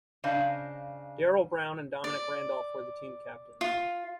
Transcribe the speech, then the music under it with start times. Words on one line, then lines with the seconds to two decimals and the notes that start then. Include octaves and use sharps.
Daryl Brown and Dominic Randolph were the team captains.
0.24 C#3 D4 C5 D#5 F5
2.04 D5
3.61 F4